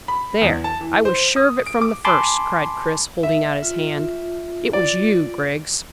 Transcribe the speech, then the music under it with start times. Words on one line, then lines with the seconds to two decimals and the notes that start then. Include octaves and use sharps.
"There, I was sure of it from the first," cried Chris, holding out his hand; "it was you, Griggs."
0.08 B5
0.41 E2
0.64 A5
0.81 E3
1.05 C5
1.36 D#6
1.66 D7
1.81 D6
2.05 G#5 A5 B5 C6 D6
3.23 E5
3.63 F4
4.73 D5